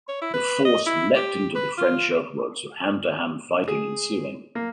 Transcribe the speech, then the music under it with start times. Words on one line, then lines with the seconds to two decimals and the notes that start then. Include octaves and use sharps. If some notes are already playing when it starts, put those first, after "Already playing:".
The force leapt into the French earthworks, with hand-to-hand fighting ensuing.
0.08 C#5
0.22 E4
0.34 B4
0.65 D#5
0.86 E4
1.16 G4
1.55 B4
1.78 F4
3.68 G#4
4.55 A#3